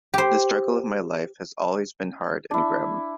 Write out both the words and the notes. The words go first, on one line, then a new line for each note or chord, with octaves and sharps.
The struggle of my life has always been hard and grim.
G4 C5
D4 E4